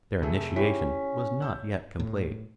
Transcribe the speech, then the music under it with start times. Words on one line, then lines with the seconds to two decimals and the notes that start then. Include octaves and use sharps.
Their initiation was not yet complete.
0.22 F1 A3 G#4
0.56 C#4 E4 G4 B6
1.40 C#5 E6 G6
2.00 A2